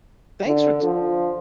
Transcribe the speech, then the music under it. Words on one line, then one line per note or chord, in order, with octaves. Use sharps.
thanks for t
D3
F3